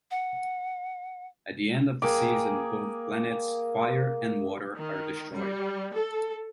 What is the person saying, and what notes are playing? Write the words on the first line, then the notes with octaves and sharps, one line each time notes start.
At the end of the season both planets, Fire and Water, are destroyed.
F#5
A#3 G#4 G5 D6
D#3
G3
A4